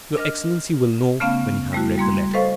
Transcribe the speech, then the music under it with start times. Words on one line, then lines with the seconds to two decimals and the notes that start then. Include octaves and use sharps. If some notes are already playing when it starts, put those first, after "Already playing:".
"Your excellency will know when you have read the letter."
0.17 D4 A#4 D#5 F6
1.20 C#3 A3 B3 C#4 F5 F6
1.73 G3 A3 E4 F#4
1.98 G3 A#3 C6 G#6
2.33 A4 B4 C5 D#5 F5 C#6